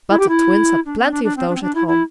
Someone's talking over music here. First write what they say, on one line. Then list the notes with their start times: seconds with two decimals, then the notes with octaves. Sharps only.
But the Twins had plenty of those at home.
0.09 E4
0.19 G4
0.28 E4
0.85 D4
0.99 C4
1.11 D4
1.23 D4
1.36 C4
1.49 D4
1.55 C4
1.61 D4
1.75 E4
1.87 E4